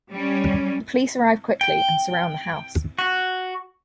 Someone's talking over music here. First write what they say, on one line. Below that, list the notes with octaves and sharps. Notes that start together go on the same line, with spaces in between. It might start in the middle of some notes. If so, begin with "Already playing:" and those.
The police arrive quickly and surround the house.
G3 C#4
G5
F#4